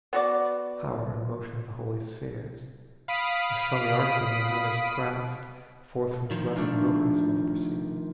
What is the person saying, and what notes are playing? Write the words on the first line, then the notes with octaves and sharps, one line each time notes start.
The power and motion of the holy spheres, As from the artisan the hammer's craft, Forth from the blessed motors must proceed.
B3 F#4 D5
F5 B5 D#6 B6 D7 D#7
D#3 F3
A3 D4 F4